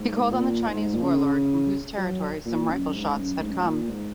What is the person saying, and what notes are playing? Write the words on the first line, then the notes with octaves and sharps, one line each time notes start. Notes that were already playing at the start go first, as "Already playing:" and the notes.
He called on the Chinese warlord from whose territory some rifle shots had come.
Already playing: G#2
A#2
G#2
A#2
C#3
F#3
A#2
F#2
G#2
F#2
G#2
F#2
G#2
A#2
G#2